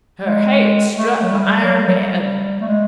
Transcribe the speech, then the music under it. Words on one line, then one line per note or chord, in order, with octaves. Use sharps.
Her head struck the iron bed.
G#3
A3
F#3
G3
G3
F#3
G3
F#3
G3
A3
G#3